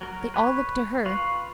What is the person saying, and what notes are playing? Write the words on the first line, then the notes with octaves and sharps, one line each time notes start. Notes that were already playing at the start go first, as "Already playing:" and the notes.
They all looked to her.
F#3 A#4
B4 C#5 B5
F4 B4 F5 C#6